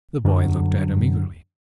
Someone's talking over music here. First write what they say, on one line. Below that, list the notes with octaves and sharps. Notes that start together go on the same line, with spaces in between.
The boy looked at him eagerly.
F#2 D3 F#3 G3